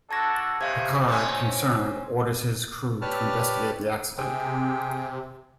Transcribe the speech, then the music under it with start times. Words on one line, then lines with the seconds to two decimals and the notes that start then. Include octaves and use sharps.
Picard, concerned, orders his crew to investigate the accident.
0.11 D4 F#4 A4 A5 G#6 A#6
0.61 A2 C3 D#3 E3 E5 F5 G#6
1.08 C4 C#4 C6
3.02 G4 B4 C#5 D5 A5 F6
4.18 C3 G#4 G5